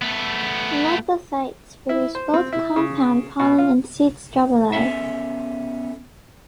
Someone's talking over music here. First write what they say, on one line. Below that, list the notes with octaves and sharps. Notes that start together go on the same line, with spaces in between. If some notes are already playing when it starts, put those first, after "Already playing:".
Gnetophytes produce both compound pollen and seed strobili.
A3 B3
E4
C5
C4
E4
C#3
B2
F4
B3 C#4 D#4 A4 E5